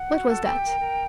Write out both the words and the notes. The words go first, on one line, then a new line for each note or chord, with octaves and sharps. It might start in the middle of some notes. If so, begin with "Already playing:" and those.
What was that?
Already playing: F#5
F#4
A4
G4 G5
A#4
A#4